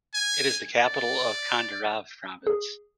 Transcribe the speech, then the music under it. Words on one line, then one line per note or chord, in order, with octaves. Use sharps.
It is the capital of Candarave Province.
G#5
D5
G#4